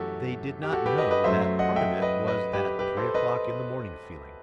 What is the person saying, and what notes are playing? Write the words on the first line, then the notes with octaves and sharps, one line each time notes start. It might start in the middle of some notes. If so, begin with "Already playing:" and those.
They did not know that part of it was that three-o'clock-in-the-morning feeling.
Already playing: F#2 E3 A3 F#4 G4 A4
G4
F#4 A4
G4 B4
B4 D#5
B4 D#5
F#2 F#3 A3 C5 E5
C5 E5
D#5 F#5
E5 G5
B4 D#5
B4 D#5
G4 B4
G4 B4
A4 C5
B4 D#5